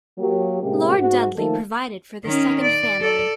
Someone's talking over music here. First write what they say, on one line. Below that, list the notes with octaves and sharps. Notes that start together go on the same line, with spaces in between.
Lord Dudley provided for this second family.
F#3 A#3 G4
A2 C3 G#3 A#3 C#4 G4
G#2 F#4
D#3 F3 A3 A#3 D#4 A4
D#3 C#4
D5
A4 D5